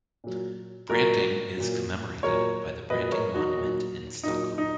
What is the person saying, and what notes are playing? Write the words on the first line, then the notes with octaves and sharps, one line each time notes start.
Branting is commemorated by the Branting Monument in Stockholm.
A#2 F#3
A#2 F#3 F#4 A#4
A#2 F#3
A#2 F#3 A#4 C#5
A#2 F#3 B4 D#5
A#4 C#5
D#4 F#4
A#2 F#3
A#2 F#3 D#4
D#4